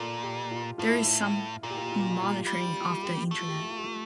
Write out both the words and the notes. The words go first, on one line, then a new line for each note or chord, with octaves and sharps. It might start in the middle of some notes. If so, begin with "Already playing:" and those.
There is some monitoring of the Internet.
Already playing: A#2 F4 A4 A#4 A5
G4
F4
A2 F4
E4
E4
A#2 F4
G4
F4
G4
F4
G4
F4
G4
F4
G4
F4
G3 G4
F4
G4
F4
G4
F4
G4
F4
G4
F4
G4
F4
A3 G4
F4
G4
F4
G4
F4
G4
F4